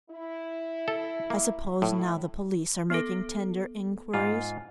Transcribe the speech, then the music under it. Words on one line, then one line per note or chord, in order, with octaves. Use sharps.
"I suppose now the police are making tender inquiries?"
E4
A4
A#3
A2 E4
B3 A4
G#2 F4